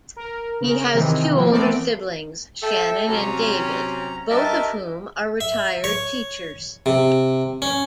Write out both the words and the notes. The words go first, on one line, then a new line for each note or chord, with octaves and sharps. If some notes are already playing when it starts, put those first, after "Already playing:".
He has two older siblings, Shannon and David, both of whom are retired teachers.
A#4
C#3 A#4
C3 D#3 E3
E3 F3 A#3
E3 A3 B3 C4 A#4 D5
A4 E5 G5
C3 F#3 C#4 A#5
G2 A#4 D#5 E5 A5
E5
C#5
C3
C#4